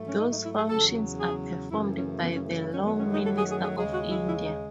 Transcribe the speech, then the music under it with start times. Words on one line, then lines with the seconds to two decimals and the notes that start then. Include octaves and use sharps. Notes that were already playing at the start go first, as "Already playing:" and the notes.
Those functions are performed by the Law Minister of India.
Already playing: G#2 F#3 A3
0.08 C#4
0.17 D#4
0.30 D#4
0.42 E4
0.56 G#4
0.68 E2 C#3 F#3 A4
1.19 G#4
1.71 F#2 C#3 E3 A3 E4
1.97 C#4
2.22 B3
2.35 C#4
2.49 B3
2.61 E4
2.74 F#2 D#3 F#3 A3 C#4
2.87 B3
2.99 C#4
3.13 D#4
3.25 A4
3.38 G#4
3.51 G#4
3.63 G#4
3.76 D#2 C#3 G#3 G#4
3.93 F#4
4.11 E4
4.28 E4
4.45 D#4